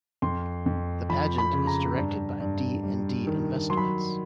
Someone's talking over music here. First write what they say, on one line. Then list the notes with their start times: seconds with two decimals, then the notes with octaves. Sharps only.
The pageant is directed by D and D Investments.
0.22 F2 C6
0.66 F2
1.09 F3 B5
1.38 B5
1.53 C#3
1.67 A#5
1.96 G2
2.40 G2
2.83 G3
3.27 D#3
3.70 F#3 C6
3.77 B5